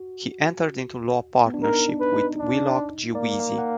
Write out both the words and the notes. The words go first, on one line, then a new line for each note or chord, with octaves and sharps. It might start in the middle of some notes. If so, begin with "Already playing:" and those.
He entered into law partnership with Wheelock G. Veazey.
Already playing: F#4
B3
D4
D#4 A#4
D4
B4
D#4
D4
A#3 D5
F5
F#5